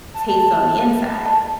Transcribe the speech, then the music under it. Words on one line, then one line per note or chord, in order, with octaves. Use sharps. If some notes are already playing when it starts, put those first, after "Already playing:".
taste on the inside."
A5